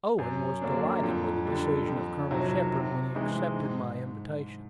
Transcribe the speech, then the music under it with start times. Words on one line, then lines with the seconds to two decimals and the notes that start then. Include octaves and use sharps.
Owen was delighted with the decision of Colonel Shepard when he accepted my invitation.
0.19 F#2
0.62 D3 F#3 A#3 D4
1.03 F2
1.45 D3 G3
1.88 F2
2.30 C3 D#3 F#3
2.73 C3
3.15 E3 G#3 C4 D#4
3.57 G#2